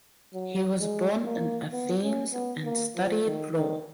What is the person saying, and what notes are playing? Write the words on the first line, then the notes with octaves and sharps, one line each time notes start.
He was born in Athens and studied law.
F#3
G#3
A#3
B3
C#4
B3
A#3
F3
D#3
D#3